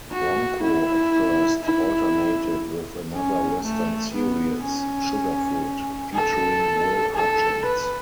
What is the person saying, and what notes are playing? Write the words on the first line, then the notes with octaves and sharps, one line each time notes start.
"Bronco" at first alternated with another Western series, "Sugarfoot", featuring Will Hutchins.
F#4
E4
E4
C#4
A3
B3
C#4
A4
A4
B4